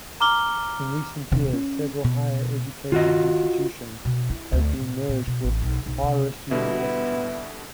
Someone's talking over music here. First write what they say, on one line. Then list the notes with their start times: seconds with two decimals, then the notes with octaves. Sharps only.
In recent years, several higher education institutions have been merged with Aarhus University.
0.20 A#5 D6 F6 G7
1.31 D#1 C3
1.53 C#4
2.04 B2
2.92 D#3 F4 F#4 D#5
4.05 B2
4.30 E4
4.53 D2
4.80 A#2
5.09 A#2
5.27 B2
5.44 A1
5.62 B1
5.86 B1
6.03 C3
6.51 B2 D3 G3 B3 E4